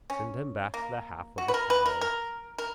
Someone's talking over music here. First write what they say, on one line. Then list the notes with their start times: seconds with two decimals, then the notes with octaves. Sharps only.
Send him back the half of a cow.
0.10 C#4
0.74 A#3
1.38 F#4
1.48 B4
1.54 A#4
1.70 B4
1.86 A#4
2.01 A#4
2.58 A#4